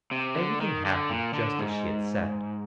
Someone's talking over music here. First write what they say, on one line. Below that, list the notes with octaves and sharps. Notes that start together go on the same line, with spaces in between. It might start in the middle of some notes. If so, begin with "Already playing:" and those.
Everything happened just as she had said.
C3
D3
D#3
D3
A#2
D3
G#2